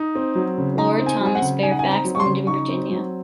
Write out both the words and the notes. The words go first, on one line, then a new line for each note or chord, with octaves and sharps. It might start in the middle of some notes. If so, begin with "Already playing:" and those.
Lord Thomas Fairfax owned in Virginia.
Already playing: D#4
C4
F#3
C#3
D#4 A#5
C4
G#5
F#3
G#5
F#5
C#3
D#4 G#5
F#5
G#5
C4
A#5
F#3
C#6
C6
C#3
D#4 C#6
C4
F#3